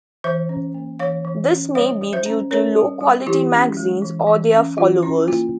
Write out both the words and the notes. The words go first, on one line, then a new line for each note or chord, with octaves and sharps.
This may be due to low quality magazines, or their followers.
E3 C5 E5
C#4
A#3
E3 C#5 F5
E3
C#4
G3 C#5 F5
G3
C5 E5
C#4
C#4 A#4 C#5
G3
G3
E3 E4 G4
C#4
G#3
E3
E3
C#4
E3 F4
C#4 E4
A#3 F4